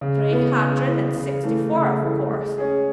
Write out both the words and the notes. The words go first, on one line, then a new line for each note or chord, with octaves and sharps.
'Three hundred and sixty-four, of course.'
C#3
E3 B3
C#3
E3 B3
C#3
E3 A3
C#3
E3 A3
G#3
C#4 G#4